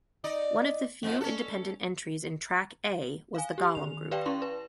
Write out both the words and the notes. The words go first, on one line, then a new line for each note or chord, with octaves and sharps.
One of the few independent entries in Track A was the Golem Group.
D#4 D5 D#5
F2 G#2 F3
C#4 A4
F5 G#5
G4
D#3 F7
G4 B4 D5 F5 G5
C#4 E4 C6 C#6
B4